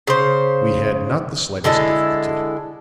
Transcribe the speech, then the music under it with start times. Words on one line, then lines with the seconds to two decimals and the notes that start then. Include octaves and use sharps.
"We had not the slightest difficulty."
0.07 C#3 C5
1.64 D3 G#3 E4 A4